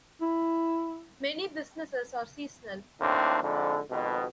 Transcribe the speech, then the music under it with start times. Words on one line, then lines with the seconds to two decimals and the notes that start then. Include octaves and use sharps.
Many businesses are seasonal.
0.21 E4
3.00 D#2 A2 A3 C4 D4
3.43 F2 G#2 D3
3.91 G#1 F2 B2